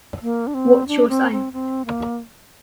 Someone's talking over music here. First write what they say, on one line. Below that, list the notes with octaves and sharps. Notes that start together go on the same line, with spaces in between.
What's your sign?
A#3
D4
C4
D4
C4
C4
C4
A#3